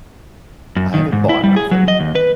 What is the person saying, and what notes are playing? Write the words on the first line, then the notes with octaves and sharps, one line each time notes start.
I haven't bought nothing."
F#2
D#3
G#2
E4
G3
G#4
F#3
D#5
D#2
B4